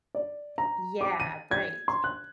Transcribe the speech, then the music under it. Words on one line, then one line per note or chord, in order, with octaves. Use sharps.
Yeah, right.
D5
A#5
D6
D#7
G#6
C6
F#6